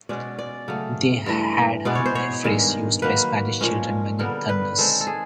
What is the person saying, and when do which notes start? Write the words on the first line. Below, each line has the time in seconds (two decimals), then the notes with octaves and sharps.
They had heard a phrase used by Spanish children when it thunders.
0.09 B2 G#3 C#4 D5
0.39 D5
0.68 C#3 F#3 A3
1.26 G2 E3 A3
1.85 B2 G#3 B3 D5
1.95 C#5
2.05 C5
2.15 C#5
2.44 G2 D#3 G#3
3.02 D#3 F#3 A#3 B4
3.61 A#2 F3 G#3 C#4
4.19 D3 G3 B3 A#4
4.49 B4
4.78 D#3 G#3 C4 A4
5.01 A4
5.07 G#4